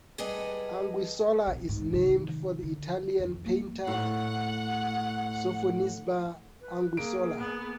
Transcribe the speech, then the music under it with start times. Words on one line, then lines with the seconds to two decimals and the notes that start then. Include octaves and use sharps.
Anguissola is named for the Italian painter Sofonisba Anguissola.
0.18 G3 G#4 A4 B4 D#5
1.47 B1 C4
1.69 G#2
1.93 C3 D#3
2.63 D3
3.20 F2 F3
3.46 A#3 C#4
3.87 A2 F#5
6.61 B4
6.97 A#3 G#4 D7
7.39 B3